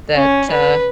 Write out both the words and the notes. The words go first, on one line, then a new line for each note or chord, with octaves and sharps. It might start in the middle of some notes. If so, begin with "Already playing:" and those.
that, uh,
C#4
B4